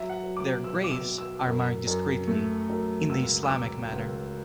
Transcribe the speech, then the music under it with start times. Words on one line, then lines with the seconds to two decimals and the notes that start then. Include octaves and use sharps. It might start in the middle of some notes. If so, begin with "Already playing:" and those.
Their graves are marked discreetly, in the Islamic manner.
Already playing: F#3 E5
0.09 F#5
0.23 F#3
0.37 D6
0.64 B2 E6
0.84 D6
0.92 E6
1.05 B2
1.18 E6
1.46 F#2
1.87 F#2
2.27 A3
2.69 F#2
3.10 C#2 E6
3.43 E6
3.50 C#2 D6
3.92 C#2